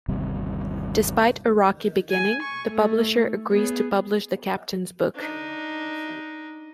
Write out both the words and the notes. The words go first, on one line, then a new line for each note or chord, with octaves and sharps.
Despite a rocky beginning, the publisher agrees to publish the Captain's book.
G1 D#2 C3 G3
G#5
C#6
A3
B3 G#4
D4 D#4